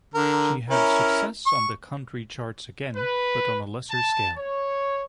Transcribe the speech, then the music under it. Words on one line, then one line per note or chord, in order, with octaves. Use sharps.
She had success on the country charts again, but on a lesser scale.
D3 A#4
C#4 E4 A#4
C#6
B4
A5
C#5